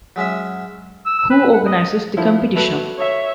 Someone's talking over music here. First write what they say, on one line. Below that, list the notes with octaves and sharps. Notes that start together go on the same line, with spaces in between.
Who organises the Competition?
F#3 G#3 C#4 E5
E6
E6
B4
F#5
D#5
F3 E4
F#3 A3 B4
C#5 E5